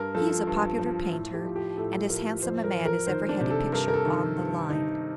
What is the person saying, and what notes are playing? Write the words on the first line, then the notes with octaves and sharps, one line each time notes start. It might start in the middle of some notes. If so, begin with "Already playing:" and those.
He is a popular painter, and as handsome a man as ever had a picture "on the line."
Already playing: G2 A#4
F3 A4
G2
F3
A2
G4
F3
G4
A2 A4
F3 A#4
F2 C5
A#4
F2
A#4
D#3 C5
D4
C3
A4
G2 A#4
A#4
A4
D#3
G2
D#3 D#4